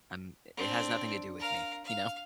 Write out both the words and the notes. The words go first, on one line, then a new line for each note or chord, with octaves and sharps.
I'm i it has nothing to do with me, you know?
C4 D4
A#4 F5
F5